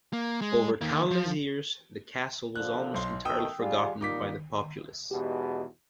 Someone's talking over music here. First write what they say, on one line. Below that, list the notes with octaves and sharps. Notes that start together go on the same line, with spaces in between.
Over countless years, the castle was almost entirely forgotten by the populace.
A#3
G#3
D#3 A#3
F3
A#2 D3 F3 F#6
B1 C6
B2 D#3 A3 G5 D#6 E6
G3 F4 G#4
A#2 G3 A#3 D#4 D6 B6
E2 G#2 B2 G4